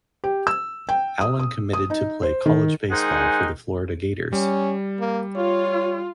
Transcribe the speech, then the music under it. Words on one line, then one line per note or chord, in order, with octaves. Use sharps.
Allen committed to play college baseball for the Florida Gators.
G4
E6
G5
D#6
D#6
D#6
D#4
C5
D#3
D#3 G#3 C5 D#5 F#5 G#5
G3 C#4
A#3
F4 C#5